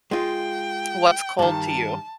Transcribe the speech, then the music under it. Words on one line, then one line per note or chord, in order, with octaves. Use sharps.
What's cold to you?
G#3 F4 G5
G2 D#3 A5